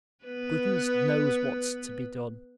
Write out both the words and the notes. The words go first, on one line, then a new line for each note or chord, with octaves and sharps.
Goodness knows what's to be done.
B3 B4